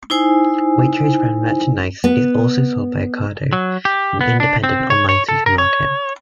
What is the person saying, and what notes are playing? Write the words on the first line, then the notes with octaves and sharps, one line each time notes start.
Waitrose brand merchandise is also sold by Ocado, an independent online supermarket.
D#4 E4 C5 G#5
B3
F#3
G4
B3
D4
C4
C#5
C#5
A4
A#4
C#5